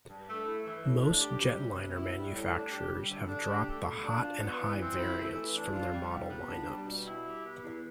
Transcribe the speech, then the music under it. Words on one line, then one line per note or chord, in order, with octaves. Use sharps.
Most jetliner manufacturers have dropped the "hot and high" variants from their model lineups.
G2
A3
E4
E3
A2
D4
G4
G3
C3
B3
E4
G3
A2
D4
G4
G3
D3
D4
G4
A3
B2
D4
F4
B3
E3
C4
E4
A3
E3
D4
F4
G3
C3
B3
D4
G3
B2
E4
G4
B3
E2